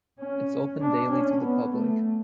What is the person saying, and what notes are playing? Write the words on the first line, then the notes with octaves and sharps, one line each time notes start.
It's open daily to the public.
C#4
D4
C#4
B3
A3